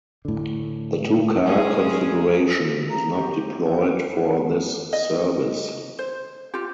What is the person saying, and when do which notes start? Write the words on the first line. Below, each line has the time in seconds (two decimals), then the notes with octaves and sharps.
The two-car configuration is not deployed for this service.
0.25 A2 D3
1.45 G#3 C#4 G#4
2.90 A#5
3.17 G4
3.61 C4
4.93 D#5
5.99 C5
6.54 F4 G4